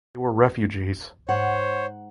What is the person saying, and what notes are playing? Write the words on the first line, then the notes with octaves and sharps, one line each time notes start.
They were refugees.
G#2 C5 C#5 F#5